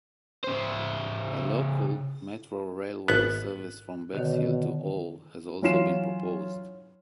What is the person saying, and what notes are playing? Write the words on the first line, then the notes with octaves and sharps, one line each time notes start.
A local metro railway service from Bexhill to Ore has also been proposed.
C#3 C5
G#1 B3 F#6
B2 D3 D#3 C#5
E3 F#3 C#4 F4 C7 E7